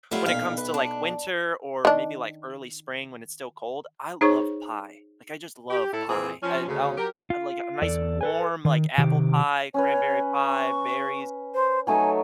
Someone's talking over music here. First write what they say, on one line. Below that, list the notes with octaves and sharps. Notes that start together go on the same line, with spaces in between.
when it comes to, like, winter or maybe, like, early spring when it's still cold, I love pie. Like, I just love pie. I I'll I'd like a nice warm, like, apple pie, cranberry pie, berries.
F#3 G3 A3 E4 F4
B1 A#2 F5 B5
B4
D4
D#3 D4
D#4 G#4 C5 C#5 C#6
G4
A2 E4 A4
F2 A#2 E3 F3 C4 G#4
F3 C#4
D2 C#3
F#3 G4 A#4
F4
E2 A4 D5
A4 B4 G#5
D#3
C3 D#3 G4
C#4 B4 C#5
C#6
C5
F#3 A3 D#4 G#5